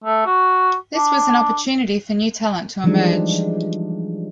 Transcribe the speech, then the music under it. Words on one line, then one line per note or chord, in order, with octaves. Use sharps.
This was an opportunity for new talent to emerge.
A3
F#4
D4
E3 F3 G3 G#3 D4 D#4